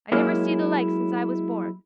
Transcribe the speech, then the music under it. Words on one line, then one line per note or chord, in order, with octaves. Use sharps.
I never see the like since I was born.
F#3 G#3 A#3 C#4 E4